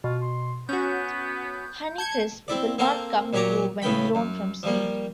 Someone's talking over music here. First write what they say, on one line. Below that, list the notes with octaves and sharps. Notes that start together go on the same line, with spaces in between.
Honeycrisp will not come true when grown from seed.
B2 F4
C6
B3 C#4 F#4 G6
A5 G6 G#6 C#7
C4 E4 D5
A#3 C4 A4 A#4 C5 F5
A#2 F#3 G4 C#5 A#5 D6
A2 C#3 B3 G5 B5
F#2
F3 G3 A#3